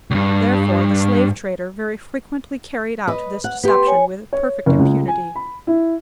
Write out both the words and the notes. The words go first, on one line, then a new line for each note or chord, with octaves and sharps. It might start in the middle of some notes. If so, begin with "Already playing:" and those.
Therefore the slave-trader very frequently carried out this deception with perfect impunity.
C#2 G2
B4 D#5
F#5
B3 G4 B4 C6
C#5 G#5
C#5
F#1
C#2
G#5
B5
E4